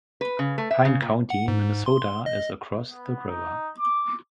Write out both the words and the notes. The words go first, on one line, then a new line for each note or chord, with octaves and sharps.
Pine County, Minnesota, is across the river.
B4
C#3
A3
E5
C#3
A#2
F#5
G#2
C6
D#5
B3
D#4
D6